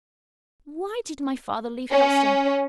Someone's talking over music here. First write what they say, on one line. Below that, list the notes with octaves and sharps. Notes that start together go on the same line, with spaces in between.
Why did my father leave Helstone?
C#4